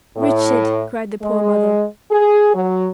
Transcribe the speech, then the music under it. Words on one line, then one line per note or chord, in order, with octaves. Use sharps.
"Richard!" cried the poor mother.
A2
G#3
G#4
F#3